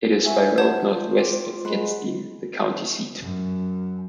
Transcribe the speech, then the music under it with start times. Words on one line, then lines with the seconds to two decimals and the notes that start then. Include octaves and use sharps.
It is by road northwest of Gadsden, the county seat.
0.24 F#4 E5 G#5 C#6
0.58 C#5 F#5 A5 G6
0.89 F4
1.18 G4
1.65 G#3 C5 F#5 B5
3.20 F#2